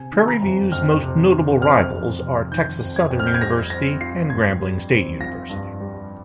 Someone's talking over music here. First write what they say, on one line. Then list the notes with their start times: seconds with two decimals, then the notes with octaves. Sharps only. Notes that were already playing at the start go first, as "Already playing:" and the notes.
Prairie View's most notable rivals are Texas Southern University and Grambling State University.
Already playing: C3 G#5
0.12 D#3
0.28 A#5
0.43 F2
0.72 F2 F6
1.02 C3
1.32 D#3
1.61 F2 F6
1.92 F2
2.21 C3
2.51 D#3 G6
2.81 F2
2.96 G#6
3.10 F2
3.20 F6
3.26 G6
3.34 G#6
3.41 G3 A#6
3.70 C4 A#6
4.01 F4 C7
4.30 G2 G#6
4.60 G3
4.91 C4
5.20 F4 A#6
5.50 G2
5.80 G3